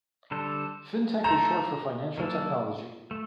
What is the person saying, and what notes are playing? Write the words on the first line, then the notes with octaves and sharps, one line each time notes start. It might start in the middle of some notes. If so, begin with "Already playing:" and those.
Fintech is short for Financial Technology.
D3 G3 D4 A4 C5
A3 D#4 A4 C5 A#5
D#3 F#3 A#3 D4 A4
A3